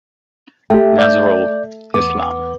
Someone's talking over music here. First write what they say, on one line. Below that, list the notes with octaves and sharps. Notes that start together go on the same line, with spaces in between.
Nazrul Islam.
A3 G4 G5
D5 G6
E2 B3 D6